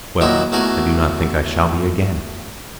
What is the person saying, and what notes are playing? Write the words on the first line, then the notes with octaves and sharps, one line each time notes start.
Well, I do not think I shall be again.
A#2 D#3 F#3 E4 A#4
E2 A3 F#4 A#4 G#5